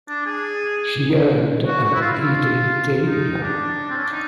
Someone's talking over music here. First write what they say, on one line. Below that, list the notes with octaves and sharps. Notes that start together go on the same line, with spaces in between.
She earned a Ed.D.
D4
G#4
F#4
F#4
E4
F4
E4
F4
D#4
D4
C4
C#4
D4
D#4